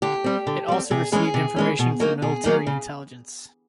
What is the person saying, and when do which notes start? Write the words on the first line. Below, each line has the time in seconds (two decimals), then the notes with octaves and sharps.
It also received information from military intelligence.
0.02 D3 G4
0.24 G3 C4
0.47 D3
0.68 G3 C4
0.91 C3 G#4
1.12 E3 G#3 C#4 G#4
1.34 C3
1.56 E3 G#3 C#4
1.79 B2
2.00 F#3 A#3 D#4
2.22 B2 G#4
2.44 F#3 A#3 D#4
2.67 C#3